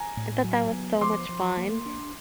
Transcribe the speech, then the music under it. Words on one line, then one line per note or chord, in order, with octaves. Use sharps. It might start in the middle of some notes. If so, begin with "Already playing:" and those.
I thought that was so much fun,
Already playing: G#5 A#5
A2
F#3
B3
F3 C6 D6
F3
A#3
D4